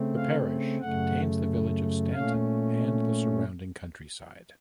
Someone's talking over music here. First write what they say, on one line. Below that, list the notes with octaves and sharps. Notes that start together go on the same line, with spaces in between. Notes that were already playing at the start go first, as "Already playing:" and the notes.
The parish contains the village of Stanton and the surrounding countryside.
Already playing: C#3 A3 C4
F5
F#2 C#3 A3 F#5
A#2 A3 C#4 F5